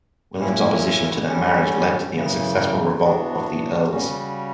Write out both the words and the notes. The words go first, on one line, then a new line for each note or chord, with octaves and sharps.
William's opposition to their marriage led to the unsuccessful Revolt of the Earls.
A#2 A#3 C#4 E4
D3 G3 C#4
F#2 C#3 E3
E3 B3 D4 F#4
C#3 G3 C#4 F#4